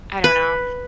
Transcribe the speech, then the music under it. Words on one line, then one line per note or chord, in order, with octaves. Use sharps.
I don't know,
B4